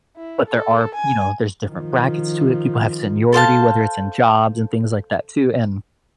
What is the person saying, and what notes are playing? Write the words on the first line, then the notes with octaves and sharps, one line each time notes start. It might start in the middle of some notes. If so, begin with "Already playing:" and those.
But there are, you know, there's different brackets to it. People have seniority, whether it's in jobs and things like that too, and,
E4
A4
G#5
D#3 F3
A4 C5 F5 A5